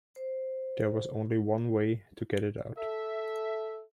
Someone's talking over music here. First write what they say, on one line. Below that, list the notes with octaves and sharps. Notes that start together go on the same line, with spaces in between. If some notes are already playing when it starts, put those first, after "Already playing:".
There was only one way to get it out.
C5
A4 E5